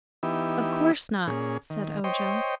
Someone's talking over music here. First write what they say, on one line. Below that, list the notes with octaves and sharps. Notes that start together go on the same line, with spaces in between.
"Of course not," said Ojo.
E3 B3 D#4 E4 G4
A#2 C#4 G#4
D#3
C5 C#5 D#5 G5